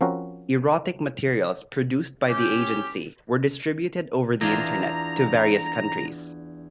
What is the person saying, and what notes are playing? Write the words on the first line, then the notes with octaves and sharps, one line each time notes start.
Erotic materials produced by the agency were distributed over the Internet to various countries.
F3 C4 C#4 F#4 A#4
C#4 G4
E2 D4 F4 A#5